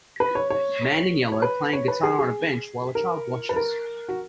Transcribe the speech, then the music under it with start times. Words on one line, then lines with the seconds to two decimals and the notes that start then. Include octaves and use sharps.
Man in yellow playing guitar on a bench while a child watches.
0.20 B4
0.35 C#5
0.50 C#5
1.32 C#5
1.42 B4
1.73 C#5
1.88 B4
2.03 G#4
2.19 G#4
2.95 A#4
3.49 B4
3.56 A#4
4.09 F#4